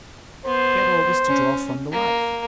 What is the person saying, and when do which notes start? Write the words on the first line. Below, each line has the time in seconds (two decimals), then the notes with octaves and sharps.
He had always to draw from the life.
0.45 B3 C5
1.27 C#4
1.92 A#3